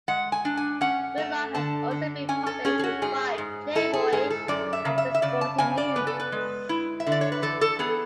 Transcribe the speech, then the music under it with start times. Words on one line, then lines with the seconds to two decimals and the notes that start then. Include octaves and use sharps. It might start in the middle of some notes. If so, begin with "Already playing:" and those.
Whitlock has also been published in "Vibe", "Playboy", and "The Sporting News".
0.08 G#3 F#5
0.32 G#5
0.45 D4
0.57 G#5
0.81 C#4 F#5
1.18 A3
1.54 D3 A5
1.91 D3
2.29 C#4 G#5
2.46 A4
2.65 C#4 G#4
2.79 G#4
2.84 F#4
3.02 G#2 G#4
3.38 G#2
3.75 E4 A4
3.93 G#4
4.12 G#2 G#4
4.30 A4
4.48 F#2 D5
4.73 E5
4.85 C#3
4.98 E5
5.15 E5
5.22 C#3 D5
5.41 A5
5.58 C#3 G#5
5.78 D5
5.96 B3 B4
6.07 A4
6.20 B4
6.32 G#3
6.69 E4
7.00 E5
7.07 D3
7.12 D5
7.21 C#5
7.32 B4
7.42 E3 A4
7.61 A4
7.79 B3 G#4